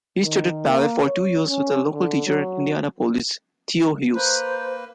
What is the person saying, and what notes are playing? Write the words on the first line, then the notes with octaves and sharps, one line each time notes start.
He studied ballet for two years with a local teacher in Indianapolis, Theo Hewes.
D#3
A#3
C#5
C#4
D3
F#3
A#3 B4 C5